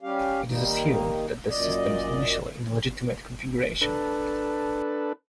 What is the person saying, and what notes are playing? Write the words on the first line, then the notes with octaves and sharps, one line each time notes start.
It is assumed that the system is initially in a legitimate configuration.
G3 C#4 G4 F5
D#3 G3 A#3 D#4
F#2 A#2 D5 D#5
D4 A4 B4